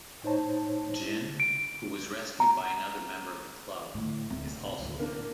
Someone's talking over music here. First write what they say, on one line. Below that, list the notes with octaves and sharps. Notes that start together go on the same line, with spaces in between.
Gin, who was rescued by another member of the club, is also there.
A2 D#4 C5 C#5 A5
E4
D7
A#5
A2 D3
D1 C3
A1 D2
A#3 D4